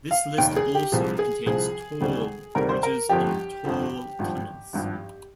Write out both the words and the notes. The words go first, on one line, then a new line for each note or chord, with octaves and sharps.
This list also contains toll bridges and toll tunnels.
F5
F1 D#2 D#3 G5
G#4
G4
C2 C3 F3 G#4
G#4
C2 C3 F3 G#4
D2 C3 D#3 G3
D2 C3 D#3 G3 A#4
C5
A#4
G1 F2 D3 F3 G4
G1 F2 D3 F3
G#1 G2 F3
G#1 G2 F3